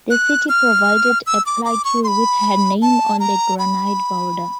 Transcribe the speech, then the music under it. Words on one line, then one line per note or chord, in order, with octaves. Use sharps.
The City provided a plaque with her name on a granite boulder.
F#6
F6
E6
D6
D6
C#6
C6
B5
A5
A#5
B5